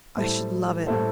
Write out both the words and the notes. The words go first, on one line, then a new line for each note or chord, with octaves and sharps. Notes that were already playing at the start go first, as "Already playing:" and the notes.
"I should love it."
A2 G3 E4 A4 C5
A2 G3 E4 A4 C5